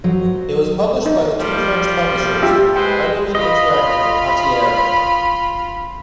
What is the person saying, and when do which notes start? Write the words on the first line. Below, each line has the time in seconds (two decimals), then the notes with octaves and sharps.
It was published by the two French publishers: Anuman Interactive and Hatier.
0.04 F#3 C5 D#5
1.06 D#4
1.39 F3 G3
2.42 F4 G4 E5
2.76 G#3 B4 C5 G5
3.35 F4 D#5 B5